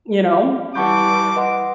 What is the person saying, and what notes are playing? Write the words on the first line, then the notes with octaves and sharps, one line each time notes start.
You know?
E3 G3 F#5 A5 B5 C#6 D6 G6
B4 D#5 F#5 C6